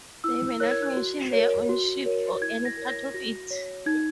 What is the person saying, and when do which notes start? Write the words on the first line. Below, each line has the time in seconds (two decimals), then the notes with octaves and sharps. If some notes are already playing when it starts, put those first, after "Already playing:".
They may not mention their own ship or any part of it.
0.24 E4 E6
0.60 A#4 C#5 F#6
0.71 G#6
0.82 F#6
0.97 F#4
1.33 A#4 C#5
1.69 F#4
2.06 A#4 C#5
2.41 E4 G#6
2.65 A#6
2.77 A#4 C#5
2.89 A#6
3.14 F#4 A#6
3.51 C#5
3.86 D#4 G#6